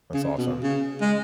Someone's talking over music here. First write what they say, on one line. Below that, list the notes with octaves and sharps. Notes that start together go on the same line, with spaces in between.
that's awesome.
C#3
B2
C#3
G#3